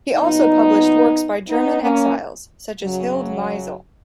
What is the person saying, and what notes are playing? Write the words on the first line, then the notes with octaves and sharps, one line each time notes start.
He also published works by German exiles, such as Hilde Meisel.
A#2 F#3 B3 D#4
B3 D#4
A#3 C#4
F#2 C#3 F#3